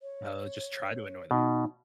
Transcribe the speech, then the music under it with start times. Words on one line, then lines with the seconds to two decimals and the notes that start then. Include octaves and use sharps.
Oh, just try to annoy them.
0.01 C#5
1.31 B2 D#4